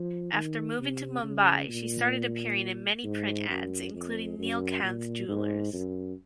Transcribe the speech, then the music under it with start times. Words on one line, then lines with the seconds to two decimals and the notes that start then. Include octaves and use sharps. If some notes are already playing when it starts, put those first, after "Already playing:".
After moving to Mumbai she started appearing in many print ads including Neelkanth Jewellers.
Already playing: F3
0.33 D#3
0.79 C3
1.23 C#3
1.69 A#2
3.04 G#2
3.49 F#2
3.94 F2
4.39 F#2
4.83 A#2
5.29 G#2
5.73 F#2